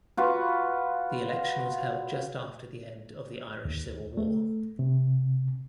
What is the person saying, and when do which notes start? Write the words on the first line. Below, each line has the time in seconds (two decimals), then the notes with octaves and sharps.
The election was held just after the end of the Irish Civil War.
0.17 F4 F#4 B4
3.65 D#2
4.17 A3
4.79 C3